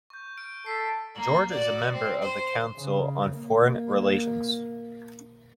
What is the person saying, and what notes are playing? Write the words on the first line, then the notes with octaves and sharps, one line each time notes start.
George is a member of the Council on Foreign Relations.
C#6 G6
F6 D7
A4 A6 B6 C7
A#3
F#4 D5
C4
C5
C#3
A#3